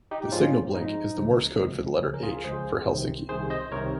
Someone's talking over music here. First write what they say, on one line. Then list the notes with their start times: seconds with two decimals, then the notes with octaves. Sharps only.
The signal blink is the Morse code for the letter "H" for Helsinki.
0.11 D#4 G4
0.32 G#2 F3 G#3 C#4 F4
0.75 G#2 F3 G#3 D#4
1.18 C#2 C#3 F3 G#3
1.60 C#2 C#3 F3 G#3
2.02 C#2 C#3 F3 G#3 C#4
2.14 A#4
2.23 F4 G#4
2.44 C#2 C#3 F3 G#3 G#4 C5
2.86 C2 C3 D#3
3.29 C2 C3 D#3 G#4 C5
3.50 C5 D#5
3.71 C2 C3 D#3 A#4 C#5